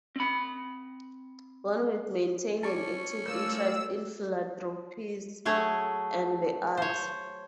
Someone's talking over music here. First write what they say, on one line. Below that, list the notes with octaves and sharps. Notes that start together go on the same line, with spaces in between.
Bonwit maintained an active interest in philanthropies and the arts.
C4 B5
C#4 A5 C#6 D6
A3 F4 A#4 D5 E6 G6
F#3 A3 G#4 C#5
C5 C#5